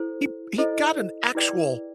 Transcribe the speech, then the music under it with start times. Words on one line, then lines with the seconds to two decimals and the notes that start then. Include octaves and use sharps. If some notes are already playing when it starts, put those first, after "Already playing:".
he he got an actual
Already playing: E4 A4 C5
0.58 E4 A4 C5 D#5
1.35 E4 G#4 B4 D5 G5